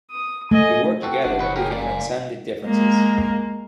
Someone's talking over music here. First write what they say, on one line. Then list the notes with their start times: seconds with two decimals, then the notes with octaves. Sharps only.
If we work together we can transcend differences.
0.11 D#6
0.51 A3 D#5 G#5
1.02 C4 F#4 A4 G5
1.25 F#1 D4 F#5
1.39 D#3 F3 B4 C#5
1.56 G4 G#4 A#4 G5
1.72 A#3 D5 F5 G#5
2.66 G#3 A#3